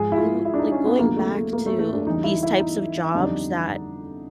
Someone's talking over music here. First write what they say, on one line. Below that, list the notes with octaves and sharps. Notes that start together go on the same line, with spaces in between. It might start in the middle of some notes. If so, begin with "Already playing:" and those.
ooh, like, going back to these types of jobs that,
Already playing: G#2 F3 G#3 G#4
E4
F4
E4
D4
D#4
C#4
B3
D2 C3 F3 G#3 A#3
A3
A3
A#3
A3
A3
D4
E2 C#3 E3 G3 D#4
E4
E4
D#4
F2 D3 G3 D#4
D4